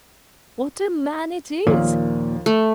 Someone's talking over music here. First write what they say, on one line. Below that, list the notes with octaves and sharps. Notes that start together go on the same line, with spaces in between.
What a man it is!
D#2 A#2 F3 F5
A3